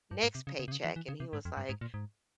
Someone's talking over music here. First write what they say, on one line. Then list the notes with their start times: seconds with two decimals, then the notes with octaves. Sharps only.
next paycheck.” And he was like,
0.11 G2
0.23 G#2
0.35 C3
0.47 C#3
0.59 C#3
0.68 C3
0.72 C#3
0.84 E3
0.96 E3
1.08 C#3
1.20 C3
1.33 G#2
1.45 F2
1.57 G2
1.69 G#2
1.81 A#2
1.94 G#2